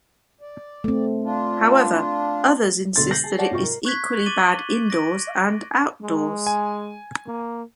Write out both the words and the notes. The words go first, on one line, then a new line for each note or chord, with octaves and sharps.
However, others insist that it is equally bad indoors and outdoors.
D5
A3 C4
D4 F4
E1 B2 D3 C6 A6
G6 A#6 C7 F#7
G#4 A5
C#5 D5 F#5 A5
G#2 C3 F4 G4 C#6
A#4
C#6 F#6 G#6 B6
D6 A6 D#7 F#7 G7
A#6 D7
G#3
G#5
A#3